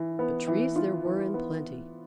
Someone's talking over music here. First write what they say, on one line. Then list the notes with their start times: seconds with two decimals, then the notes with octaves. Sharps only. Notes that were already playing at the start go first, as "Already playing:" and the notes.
But Trees there were in plenty.
Already playing: E3
0.19 B3
0.48 E3
0.76 F4
1.05 E3
1.34 B3